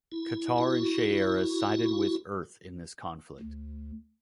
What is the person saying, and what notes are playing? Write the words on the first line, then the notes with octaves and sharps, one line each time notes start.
Katar and Shayera sided with Earth in this conflict.
E4
E4 F#4
D2